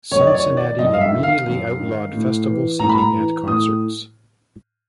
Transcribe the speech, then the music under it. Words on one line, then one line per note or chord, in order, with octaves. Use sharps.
Cincinnati immediately outlawed festival seating at concerts.
F#2 C#5
D#5
D5
C#5
D#3
D5
F#2 D#5
F5
E5
D#3
F5
F#2
D#3
A2
E3
A2 A#5
B5
A#5
E3
A2 D#6